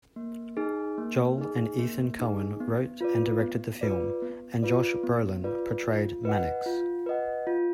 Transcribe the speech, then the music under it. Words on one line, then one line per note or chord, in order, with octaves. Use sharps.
Joel and Ethan Coen wrote and directed the film, and Josh Brolin portrayed Mannix.
A#3
D#4 G#4
A#3
D#4 G#4
A#3
D#4 G#4
B3
F4 B4 D5
B3
F4 B4 D5
B3
F4 B4 D5
B3
F4 B4 D5
F4
B4 D#5 F#5
F4
B4 D#5 F#5
F4